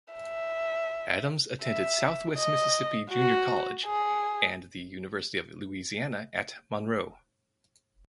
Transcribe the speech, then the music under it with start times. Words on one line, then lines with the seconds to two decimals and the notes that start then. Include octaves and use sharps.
Adams attended Southwest Mississippi Junior College and the University of Louisiana at Monroe.
0.14 E5
1.62 E5
2.37 D#5
3.11 F#4
3.86 G#4